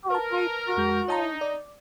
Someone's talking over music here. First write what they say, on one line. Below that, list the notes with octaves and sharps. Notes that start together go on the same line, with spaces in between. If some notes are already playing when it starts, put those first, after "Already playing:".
Oh my gosh.
A#4 B4 A5
F2 G#3 G6
D#4 C#5 A5 A#5
D5